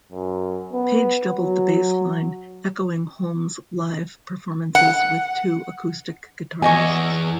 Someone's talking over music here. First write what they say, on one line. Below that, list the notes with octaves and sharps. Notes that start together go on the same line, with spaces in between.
Page doubled the bass line, echoing Holmes' live performances with two acoustic guitarists.
F#2
B3
F#3
F#5
E2 C#5 D#5 G#5